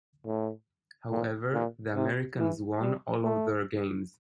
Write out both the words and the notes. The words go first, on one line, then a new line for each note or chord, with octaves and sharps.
However the Americans won all of their games.
A2
A#2
A#2
C3
E3
G3
A3